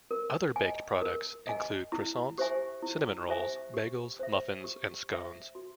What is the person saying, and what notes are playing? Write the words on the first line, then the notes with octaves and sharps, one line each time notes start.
Other baked products include croissants, cinnamon rolls, bagels, muffins, and scones.
A#4
D#5 G#5
A#4
D#5 G#5
E4
G4 C5 E5 G#5
E4
G4 C5 E5 G#5
G4
C5 E5
G4
C5 E5
F#4